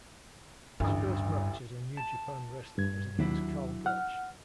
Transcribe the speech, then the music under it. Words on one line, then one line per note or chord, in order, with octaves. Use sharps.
His first match as a New Japan wrestler was against Karl Gotch.
A1 D2 G2
A5
G2 G#6
D#2 F#3 D4 E4
F#5 F6